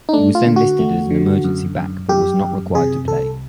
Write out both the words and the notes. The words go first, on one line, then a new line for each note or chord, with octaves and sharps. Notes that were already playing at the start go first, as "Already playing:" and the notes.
He was then listed as an emergency back but was not required to play.
D#4
A3 D4
F4
D3
F#4
A3
D3
F#2
F#2
F#2 G4
F#2
C3 G#4
C2 A4